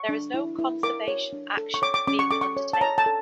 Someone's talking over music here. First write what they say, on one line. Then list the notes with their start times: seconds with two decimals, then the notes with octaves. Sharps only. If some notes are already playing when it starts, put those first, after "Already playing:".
There is no conservation action being undertaken.
Already playing: C#6
0.09 D4
0.34 E4
0.59 E4
0.83 A#4 D6
1.08 C#5
1.33 D4
1.57 A4
1.74 C#6
1.82 C#5 D6
1.94 D6
2.07 C#4 D6
2.19 C#6
2.31 A4 D6
2.41 C#6
2.57 C#5
2.73 A5
2.81 C#5 A#5
2.98 A5
3.06 A4